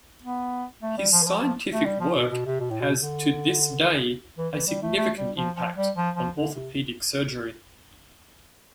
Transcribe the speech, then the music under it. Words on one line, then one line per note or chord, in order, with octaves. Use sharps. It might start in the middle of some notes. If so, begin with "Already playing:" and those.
His scientific work has to this day a significant impact on orthopedic surgery.
B3
A3
G3
F3
E3
F3
F3
A3
G3
F3
B2
B2
C3
B2
A2
B2
D3
E3
E3
G3
A3
A3
G3
F3
F3
G3
F3
F3
D3
C3